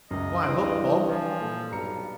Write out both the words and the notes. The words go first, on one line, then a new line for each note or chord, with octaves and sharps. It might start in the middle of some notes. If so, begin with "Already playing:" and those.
Why, look, Bob.
C#2 F#2 D#5
G2 E3 C6 D7 F#7
F3 C#5 G#5
A#2 A4
B1 G2 A#5 C#7